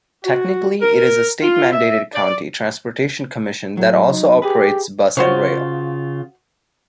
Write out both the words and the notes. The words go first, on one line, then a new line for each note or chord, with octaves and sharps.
Technically it is a state-mandated county transportation commission that also operates bus and rail.
F#4
A#4
F4
E5
D5
A2 F#3
D#4
G4 G#4 B4
C#3 F4 F#4 C5 C#5